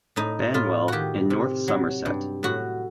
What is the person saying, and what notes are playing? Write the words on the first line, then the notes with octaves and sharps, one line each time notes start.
Banwell in North Somerset.
A2 D#4
A2 F4
D#3 F#4 G4
C3
F#3
G2
A2 F#4